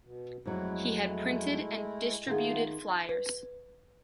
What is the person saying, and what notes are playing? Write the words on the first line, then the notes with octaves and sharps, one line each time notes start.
He had printed and distributed flyers.
B2
F2 F#3 G#3 A3 E4
D#3 A3 B3 F4 G#4
B4